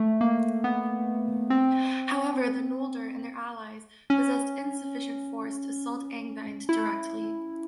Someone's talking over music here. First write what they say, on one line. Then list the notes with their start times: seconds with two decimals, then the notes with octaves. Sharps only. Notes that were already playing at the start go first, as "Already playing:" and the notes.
However, the Noldor and their allies possessed insufficient force to assault Angband directly.
Already playing: A3
0.21 A#3
0.64 B3
1.50 C4
4.10 C#4
6.69 E4